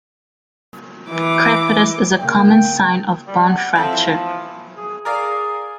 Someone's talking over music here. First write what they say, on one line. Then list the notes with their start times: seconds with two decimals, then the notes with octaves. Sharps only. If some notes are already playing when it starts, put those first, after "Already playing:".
Crepitus is a common sign of bone fracture.
1.10 E3 D6
2.19 C#3 A#3 G5
3.27 G3
3.49 F#5
3.75 F3 C4 E4 A4
3.93 E3
4.77 G#4
5.05 G#4 A#4 D5 F5